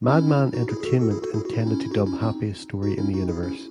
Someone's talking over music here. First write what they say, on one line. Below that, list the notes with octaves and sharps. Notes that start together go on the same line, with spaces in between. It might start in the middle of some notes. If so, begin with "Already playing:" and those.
Madman Entertainment intended to dub Happiest Story in the Universe!
C#4 E4
D#4 F#4
E4 G#4
G#4
F#4 A4
F#4 A4
E4 G#4
F#4 A4
E4 G#4
F#4
E4
D#4
C#4 E4
E4
D#4 F#4
C#4 E4
C4 D#4
D#4 F#4
C#4 E4
D#4 F#4
E4 G#4
C#4 E4